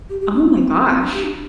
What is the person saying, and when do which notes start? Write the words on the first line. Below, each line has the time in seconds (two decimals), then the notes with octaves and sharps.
Oh my gosh.
0.09 G4
0.21 G4
0.33 D4
0.44 C4
0.55 C4
1.01 D4
1.13 G4
1.24 D4